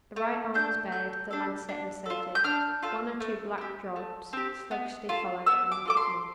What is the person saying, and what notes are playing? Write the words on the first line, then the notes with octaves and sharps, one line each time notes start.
The right arm was bared; the lancet inserted, one or two black drops sluggishly followed and nothing more.
A3
D4 A4 G6
A3 G6
D4 A4
D4
F4 A4
G6
D4 F6
F4 A4
A3
C4 G4
A3
C4 G4
B3
F4 A4
B3 E6
D6
F4 A4 D6
C6